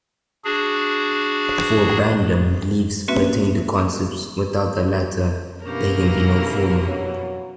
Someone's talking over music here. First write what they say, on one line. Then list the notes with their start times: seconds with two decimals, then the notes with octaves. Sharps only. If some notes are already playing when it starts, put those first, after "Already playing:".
For Brandom, beliefs pertain to concepts: without the latter there can be no former.
0.45 D4 F#4 G#4
3.08 A#3 C4 C#4 F#4 B4 E5
5.66 B2 E3 A#3 C#4 D4 G4 A#4
6.88 F#3